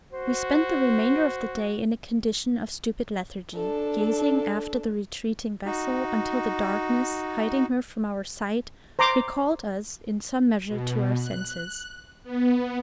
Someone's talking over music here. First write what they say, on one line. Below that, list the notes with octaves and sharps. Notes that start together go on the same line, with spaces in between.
WE spent the remainder of the day in a condition of stupid lethargy, gazing after the retreating vessel until the darkness, hiding her from our sight, recalled us in some measure to our senses.
F#4 C5
D4 A4
D#4 F#4
C5 A#5 C6 D6
B2
F#6
B3